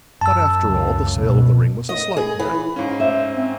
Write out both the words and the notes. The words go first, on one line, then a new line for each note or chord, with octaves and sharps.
But, after all, the sale of the ring was a slight matter.
F#2 A5 E6
C#2 C#3
B2
D#5
G#4
E3
G#2 C#4 F5
C5 E5
C4